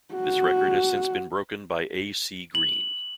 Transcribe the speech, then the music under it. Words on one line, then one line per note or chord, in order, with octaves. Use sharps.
This record has since been broken by A. C. Green.
F#4
F#7